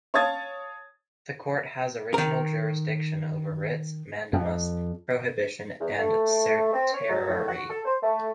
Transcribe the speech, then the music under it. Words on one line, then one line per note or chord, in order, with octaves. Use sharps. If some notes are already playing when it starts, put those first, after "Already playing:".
The Court has original jurisdiction over writs of mandamus, prohibition, and certiorari.
C#5 F5 A5 D#6 G#6 A6
D#3 A#4
F2
E2
A3
C4
C#5
F#3
A2
F#4
A4
C5
A3